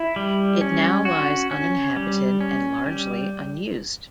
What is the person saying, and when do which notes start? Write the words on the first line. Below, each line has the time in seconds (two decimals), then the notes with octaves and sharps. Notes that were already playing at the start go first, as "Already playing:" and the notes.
It now lies uninhabited and largely unused.
Already playing: E4
0.16 G3
0.61 C#4
1.05 F#4
1.51 C#4
1.96 G3
2.41 C#4
2.86 G3